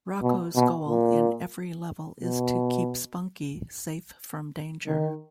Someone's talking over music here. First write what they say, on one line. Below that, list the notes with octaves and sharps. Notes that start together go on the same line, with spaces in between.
Rocko's goal in every level is to keep Spunky safe from danger.
B2
B2
A#2
B2
D#3